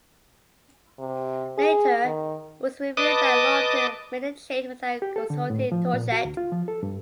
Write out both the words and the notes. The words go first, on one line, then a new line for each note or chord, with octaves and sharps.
Later, it was revealed that Lawton made the change without consulting Tocchet.
C3
G#4
D#3
B4 D#5 A5 D6 D#6
G4
A4
D3
A2
F3
A#2
F#4
D2
F4
F3
A4
G2